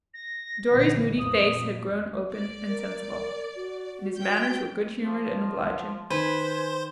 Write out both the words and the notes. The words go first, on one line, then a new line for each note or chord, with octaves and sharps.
Dorry's moody face had grown open and sensible, and his manners were good-humored and obliging.
A#6
A#1 D3 E3
F2 A#2 D#6
D5
A#4
F#4
G5 G6
F3
D#3 B4 C5 G#5